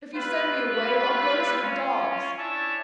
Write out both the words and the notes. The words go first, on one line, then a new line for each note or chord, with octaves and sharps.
If you send me away I'll go to the dogs.
G3 E4 F4 B4
C#4 F4
C#4 D4 E4 C#5 E5 A5